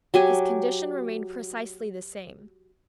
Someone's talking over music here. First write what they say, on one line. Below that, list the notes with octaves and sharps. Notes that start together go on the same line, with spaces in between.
His condition remained precisely the same.
F#3 G4 G#5